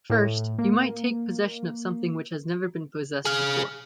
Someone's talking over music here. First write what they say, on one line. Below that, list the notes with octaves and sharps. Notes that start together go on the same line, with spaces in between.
First, you might take possession of something which has never been possessed before.
A2
A#3
G#4 F5